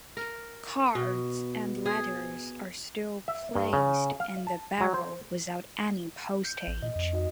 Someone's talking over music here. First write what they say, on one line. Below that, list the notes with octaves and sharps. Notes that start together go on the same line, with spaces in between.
Cards and letters are still placed in the barrel without any postage.
A#4
B2
G#4
E5
G2
C#3
F5
A5
F#3
C5
F6 G6
A1
A#2 D#5
F2
D#4 F#4 D#5